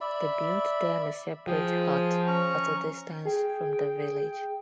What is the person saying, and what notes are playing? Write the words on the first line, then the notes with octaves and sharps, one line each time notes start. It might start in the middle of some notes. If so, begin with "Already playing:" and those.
They build them a separate hut at a distance from the village.
D5 E5 B5
F3 G#4 G5
C#4 A#5 C#6
G#4 G5